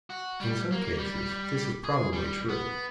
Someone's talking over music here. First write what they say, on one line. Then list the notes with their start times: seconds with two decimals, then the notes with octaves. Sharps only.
In some cases this is probably true.
0.10 F#4
0.40 G3
0.72 A#3
0.99 G3
1.84 G#4
2.13 G3
2.49 B3